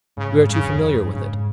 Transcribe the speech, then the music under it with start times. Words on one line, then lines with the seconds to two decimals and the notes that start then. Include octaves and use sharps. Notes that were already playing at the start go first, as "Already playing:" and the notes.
We are too familiar with it.
0.17 G#2 C#3
0.50 G2 C#3
0.60 F2
0.71 E2
0.81 F2
0.97 G2
1.13 G#2 C#3